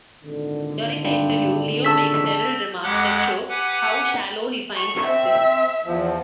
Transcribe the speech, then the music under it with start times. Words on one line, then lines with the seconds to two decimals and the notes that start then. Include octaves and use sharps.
During the interview Leo makes several remarks that show how shallow he finds success.
0.23 G#1 A#2 D3
1.04 G2
1.85 C#3 A5 E6 B6
2.83 F2 G#3 G4 F#5 D6 F#6
3.49 G4 B4 F#5 G#5
4.76 C#6
5.07 C4 E5
5.85 E2 F3